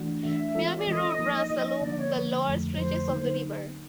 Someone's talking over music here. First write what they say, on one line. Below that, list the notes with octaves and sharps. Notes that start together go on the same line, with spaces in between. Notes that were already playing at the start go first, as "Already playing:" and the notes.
Miami Road runs along the lower stretches of the river.
Already playing: E3 A3 D4 F#4
E3 A3 D4 F#4 E5
E3 G#3 C4 F4 A4
D5
E3 G#3 C4 F4 A4 D#5
F3 A#3 D#4
F3 A#3 D#4
D3 F3 A#3 D5
C#5
D3 F3 A#3
F2 D3 F3 A3
C#5
F2 D3 F3 A3 C5
D3 F#3 A#3 D#4